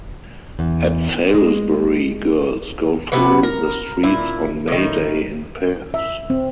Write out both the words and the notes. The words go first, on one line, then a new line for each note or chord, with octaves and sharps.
At Salisbury girls go through the streets on May Day in pairs.
E2
G#3
C3 B3 F#4 B4
A#4
A#2 E4
A2 D#3
E5
C4